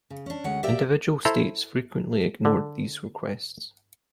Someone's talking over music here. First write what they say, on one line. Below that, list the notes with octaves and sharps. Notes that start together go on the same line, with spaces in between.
Individual states frequently ignored these requests.
C#3
C#4 D4
D2 G#3 C#4 F#5
G4 A#4 D5 E5 F5 G5
E4 A4 C5 A#5
D3